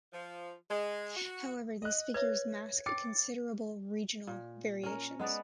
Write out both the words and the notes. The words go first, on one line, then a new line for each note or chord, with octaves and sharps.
However, these figures mask considerable regional variations.
F3
G#3
F#4
D#5 F#6
B4 C#5 E5 G#6
G5 D6 A6 C#7
A#2
C#4 A#4
G#3 B3 B4 D5